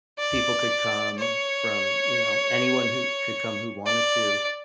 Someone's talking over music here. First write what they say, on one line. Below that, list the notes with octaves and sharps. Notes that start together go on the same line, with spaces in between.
people could come from, you know, anyone who could come who wanted to
D5
C#5
D5